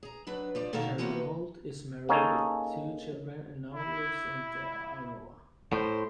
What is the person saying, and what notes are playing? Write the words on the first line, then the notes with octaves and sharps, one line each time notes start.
Sharon Holt is married with two children and now lives in Te Aroha.
G#4 A#5
F#3 D4 B4
F3 G3 D5
B2 D3 D#3 A4 A#4 F5
E3 F3 A#3 B3 F#4
A#3 C#4 D#4 G#4 A4
E4
A2 C5